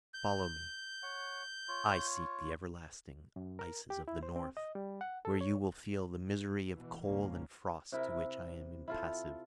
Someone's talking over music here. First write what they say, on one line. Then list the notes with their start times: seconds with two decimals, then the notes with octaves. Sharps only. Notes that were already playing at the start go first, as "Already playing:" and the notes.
Follow me; I seek the everlasting ices of the north, where you will feel the misery of cold and frost, to which I am impassive.
0.14 G6
1.03 C#5 F#5
1.68 F4 C#5
3.36 F#2
3.59 A#4
3.90 G4
4.08 E4
4.23 C5
4.36 C4
4.57 D#5
4.75 G3
5.01 F#5
5.25 A4
5.41 C#5
6.74 B2 E3
7.04 G#1 C#2 A#2 A#3 C#4
7.92 C3 E4 A#4
8.88 E4 F4 A4